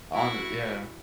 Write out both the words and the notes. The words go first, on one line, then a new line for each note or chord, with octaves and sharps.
On it, yeah.
E4 F#4